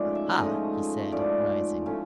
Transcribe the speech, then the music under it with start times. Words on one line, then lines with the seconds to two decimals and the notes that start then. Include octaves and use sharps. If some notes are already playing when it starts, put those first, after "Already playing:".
"Aha!" he said, rising.
Already playing: G#2 F3 A3 C#4 D5
0.15 E5
0.40 G#2 F3 A3 C#4 D#5
1.12 G#2 F3 A3 C#4 D5
1.86 F3 A3 C#4